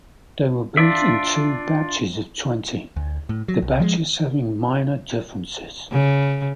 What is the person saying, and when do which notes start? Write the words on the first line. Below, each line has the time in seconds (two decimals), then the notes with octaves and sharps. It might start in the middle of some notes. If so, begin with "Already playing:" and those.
They were built in two batches of twenty, the batches having minor differences.
0.77 D4 F4 D5 E5
2.96 D2
3.29 A2
3.48 F#3
3.62 B1
3.80 F3 G3 G#3
5.92 C#3